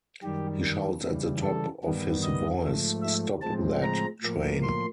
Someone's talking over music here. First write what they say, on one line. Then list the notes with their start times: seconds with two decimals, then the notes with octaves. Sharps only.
He shouts at the top of his voice 'Stop, That, Train!
0.23 F#2 D#3 G3 G4
1.03 C#3 E3 G3
1.43 A4
1.83 G2 D#3 G3 B3
2.23 D#5
2.62 G#2 F3 A3
3.02 E5
3.42 A2 F3 G#3 C4 A5
3.82 A#5
4.22 A2 F3 A#3
4.62 C6